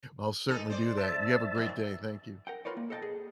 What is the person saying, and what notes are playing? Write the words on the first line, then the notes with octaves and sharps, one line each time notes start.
I'll certainly do that, and you have a great day, thank you.
D#3 D#4 A4
C5 D5
E5 A5
D#3 F#3
A#4 F#5 G5
F4 F#4 A#4 B4 C#5 D5
A#3
A4 C#5 D#5 F#5 G5 A5
G#4